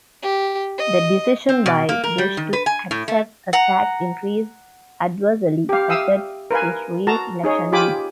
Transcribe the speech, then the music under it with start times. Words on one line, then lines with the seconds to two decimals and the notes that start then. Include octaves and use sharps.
The decision by Bush to accept a tax increase adversely affected his re-election bid.
0.23 G4
0.78 D#5
1.49 C4
1.66 B2
1.89 A#3
2.04 A#4
2.18 G3
2.37 D#3
2.53 B4
2.66 G#5
2.91 A2
3.08 A3
3.53 F#5 A#5
5.69 G4 F5
5.89 E5 F5 G5 D#6 E6
6.51 A#4 B4 F5 G#5
7.07 F#4 A5 A#5
7.43 D#4 G#4 C#5
7.72 F4 G4 G#5 B5 D6